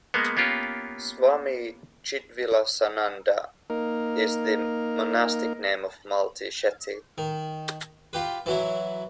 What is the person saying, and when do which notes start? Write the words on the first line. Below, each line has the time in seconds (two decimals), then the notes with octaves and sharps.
Swami Chidvilasananda is the monastic name of Malti Shetty.
0.14 G#3 A#3 B3
0.37 A#3 B3 C#4 F4 G4
3.70 A#3 D#4 A#4
7.18 D#3
8.13 F4 G4 B4
8.46 E3 F#3 E4